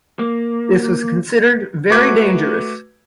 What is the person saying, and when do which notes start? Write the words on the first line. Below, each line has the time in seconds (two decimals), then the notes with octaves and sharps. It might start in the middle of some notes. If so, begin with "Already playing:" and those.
This was considered very dangerous.
0.19 A#3
1.90 A3 F#4 B4 D6 G#6